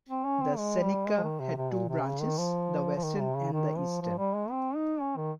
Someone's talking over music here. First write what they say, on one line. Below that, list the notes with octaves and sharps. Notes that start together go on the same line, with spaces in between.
The Seneca had two branches; the western and the eastern.
C4
C#4
C4
G#3
G3
G#3
F3
D#3
C3
C3
A#2
C3
C#3
D#3
F3
F3
D#3
C3
C#3
D#3
F3
F3
G3
G#3
C4
D#4
C#4
D#3